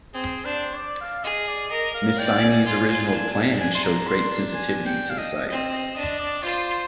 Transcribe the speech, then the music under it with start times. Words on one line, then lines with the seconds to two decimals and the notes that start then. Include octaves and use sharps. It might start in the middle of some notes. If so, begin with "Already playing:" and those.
Ms. Symmes' original plan showed great sensitivity to the site.
0.13 C4 G#4
0.45 D4 C5
0.76 D5
1.01 F5
1.24 G#4 D#5
1.48 D5
1.71 A#4 D#5
1.94 F5
2.18 D5 G5
2.42 G#5
2.66 F4
3.12 D4
3.60 G#5
3.75 C6
3.84 A#5
4.08 C6
4.54 G#5
4.86 G5
5.10 F5
5.18 D#5
5.49 C4 D#5
5.72 D#5
5.96 D4 D#5
6.19 D5
6.44 F4 C5